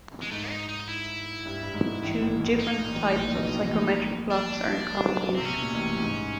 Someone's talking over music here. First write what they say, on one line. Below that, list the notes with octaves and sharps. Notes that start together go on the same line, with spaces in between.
Two different types of psychometric plots are in common use.
G#3
G#2 A3
D#4
D#4
E4
G2
G2
G#2
A1 A2
A#1 A#2
A#1 A#2
D#4
A#2
A1 A2
A#1 A#2
B1 B2
A1 A2
A#1 A#2
D4
C3 C4
B2 C#4
A#2
A1 A2
G#2